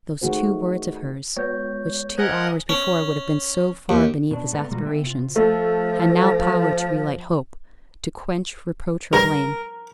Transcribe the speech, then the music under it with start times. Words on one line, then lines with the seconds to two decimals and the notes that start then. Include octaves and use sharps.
Those two words of hers, which two hours before would have been so far beneath his aspirations, had now power to re-light hope, to quench reproach or blame.
0.22 D#3 A3 F#4 G#4 C5
1.37 G#3 B3 C#5 G6
2.18 A#4 C5 D#5 F#5 G#5 G#6
2.69 C#4
3.89 D#2
4.31 B2 D4
4.52 G#2 A3 B3 B4 D5 A#5
4.71 B2 G3 G#3 F4 F#4 A#5
4.85 D3 B3 E5 G5
5.04 C3 F4
5.36 F3 A3
9.13 G2 A#4